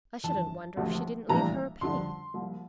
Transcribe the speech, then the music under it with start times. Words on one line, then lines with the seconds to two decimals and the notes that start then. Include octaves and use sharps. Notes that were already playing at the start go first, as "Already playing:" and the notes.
I shouldn't wonder if she didn't leave her a penny.
0.23 G1 F2 E3 A5
0.76 E1 D2 C3 F3 A3
1.29 A#1 A2 E3 G3 A#3 A#5
1.81 F2 D3 G3 C6
2.34 C2 C3 F3 A#3